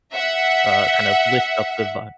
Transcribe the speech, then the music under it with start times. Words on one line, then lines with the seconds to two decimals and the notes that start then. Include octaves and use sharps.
uh, kind of, lift up the vibe.
0.13 E5 F#5